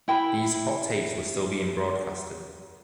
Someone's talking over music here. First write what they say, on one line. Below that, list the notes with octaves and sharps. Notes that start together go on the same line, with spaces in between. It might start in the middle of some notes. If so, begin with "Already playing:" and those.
These hot tapes were still being broadcasted.
E4 G5 B5